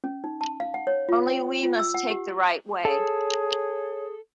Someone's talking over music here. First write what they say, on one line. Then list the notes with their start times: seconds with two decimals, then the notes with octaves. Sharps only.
Only we must take the right way.
0.04 C#4
0.24 D#4
0.41 A5
0.60 F5
0.74 F#5
0.87 C#5
1.09 F4
1.27 G5
1.63 F4
1.79 E6
1.94 F#5
2.10 G4
2.85 G#4 A4 C#5